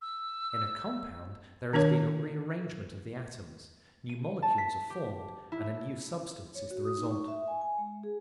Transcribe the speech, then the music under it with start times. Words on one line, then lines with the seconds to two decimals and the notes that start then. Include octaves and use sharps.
In a compound there has been a rearrangement of the atoms, new molecules are formed, and a new substance is the result.
0.02 E6
1.73 D#3 D4 A#4 C#5
4.09 D#7
4.42 A5
4.58 B6
4.90 G4
5.52 E4
6.55 C#5
6.71 F#4
6.85 D#6
6.98 D#4
7.11 C#6
7.28 E5
7.48 G#5
7.61 G#5
7.78 G#3
8.03 G#4